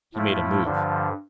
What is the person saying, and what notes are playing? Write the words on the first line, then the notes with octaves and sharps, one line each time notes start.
He made a move.
A2 F3 A3 E4
G2 D3 F3